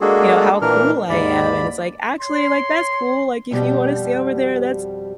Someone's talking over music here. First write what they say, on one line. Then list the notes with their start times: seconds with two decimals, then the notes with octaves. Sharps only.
you know, how cool I am, and it's like, "Actually, like, that's cool, like, if you wanna stay over there, that's"
0.01 G#3 A#3 D4 F#4 G#4 A4
0.62 A#2 E3 D4 A#4 F6
1.10 D#2 G#2 D5 B5
2.20 C#5 C6
3.51 F2 B2 G3 C4 G4